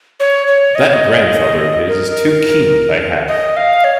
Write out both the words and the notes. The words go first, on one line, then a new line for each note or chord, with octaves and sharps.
That grandfather of his is too keen by half.
C#5
C#5
D#5
C#5
D#5
A#4
D#5
F5
C#5